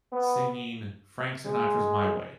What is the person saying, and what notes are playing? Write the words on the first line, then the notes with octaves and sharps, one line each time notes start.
singing Frank Sinatra's "My Way."
B3
G#3